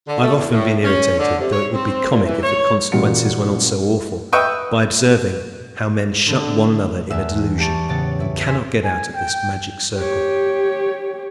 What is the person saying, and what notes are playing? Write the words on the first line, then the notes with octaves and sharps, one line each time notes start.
I have often been irritated, though it would be comic if the consequences were not so awful, by observing how men shut one another in a delusion and cannot get out of this magic circle.
D3
A3
E2
A2
C#4
D3
C3
C#5
C4
A#2
E3
C#5
A1 A#2 G3 F#4 F#5 C#7
B4 D#5 E5 G5 C#6
D3
E2 A3 E5 E6
G4 A5 C#6
A2 C#3 B3 C#5 A6 C#7
E4
G#5 C6 E6 G#6 A#6 B6
G#5
G5
G4 C#5